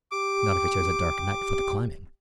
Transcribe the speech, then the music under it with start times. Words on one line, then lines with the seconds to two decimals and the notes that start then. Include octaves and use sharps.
"Not if he chose a dark night for the climbing."
0.12 G4 D6